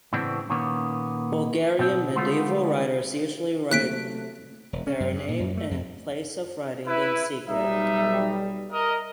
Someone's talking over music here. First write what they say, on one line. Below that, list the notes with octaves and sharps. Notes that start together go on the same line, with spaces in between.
Bulgarian medieval writers usually write their name and place of writing in secret.
A2 C#3 E3 B3 C4 D4
A#2 D#3 A#3 B3 C#4
B2 C4
D3 G#3 A3 B3 F4
D#2 C3 F#3 A3 F#6 B6 D7
E1
C#4
F#2
G2
A#2
F#2
A3
F2
E4 B4
B1 G3 D#4 E5
A#4 D#5